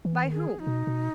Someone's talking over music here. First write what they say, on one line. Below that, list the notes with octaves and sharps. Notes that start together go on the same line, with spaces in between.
"By whom?"
E3
D#3
G#4
D#4
B2
B2